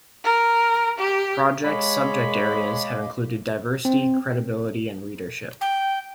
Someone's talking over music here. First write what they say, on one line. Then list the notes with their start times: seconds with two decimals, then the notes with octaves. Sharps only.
Projects subject areas have included diversity, credibility and readership.
0.24 A#4
0.98 G4
1.65 G#3 C#5 D#5 F5 B5 D6
3.85 C4
5.61 G5